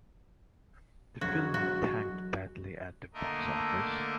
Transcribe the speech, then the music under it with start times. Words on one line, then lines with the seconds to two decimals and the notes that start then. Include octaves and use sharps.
The film tanked badly at the box office.
1.21 E1 F#3 F#4 G#6
1.54 F#4
3.14 D3 A3 A#3 A#4 D#5